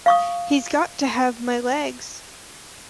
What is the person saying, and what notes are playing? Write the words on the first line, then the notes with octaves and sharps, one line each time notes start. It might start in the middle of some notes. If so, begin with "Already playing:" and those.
He's got to have my legs.
F5 C#6 D#6